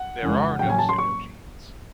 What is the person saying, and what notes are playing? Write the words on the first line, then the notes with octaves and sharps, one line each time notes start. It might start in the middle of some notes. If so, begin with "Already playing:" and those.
There are no pseudogenes.
Already playing: F#5
F2 C#3 E3 G#3 C#4
A2 F#3 A#3 C#4 G5
G#5
A5
C6
C#6